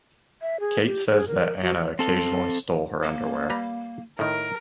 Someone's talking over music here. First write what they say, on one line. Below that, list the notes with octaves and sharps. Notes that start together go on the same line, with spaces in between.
Kate says that Anna occasionally stole her underwear.
E5
G#4
G4
G#4
A#4
F#4
C4 A4
A#3
G3 B4 A#5
A2 D#3 A#4